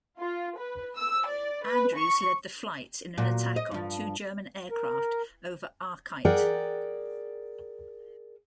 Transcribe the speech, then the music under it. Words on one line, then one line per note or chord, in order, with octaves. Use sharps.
Andrews led the flight in an attack on two German aircraft over Achiet.
F4
B4
E6
D5
B4
C#6
A#2 F#3
D#5
G2 F3
A#4
G#4 A#4 D5 F#5 G5